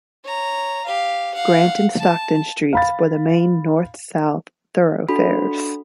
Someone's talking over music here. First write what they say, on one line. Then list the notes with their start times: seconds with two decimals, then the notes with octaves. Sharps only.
Grant and Stockton streets were the main north-south thoroughfares.
0.24 C#5 A#5
0.85 G4 F5
1.34 F5 F#5
1.99 A5
2.73 F5 B5 A6
5.09 D4 F#4 A4 B5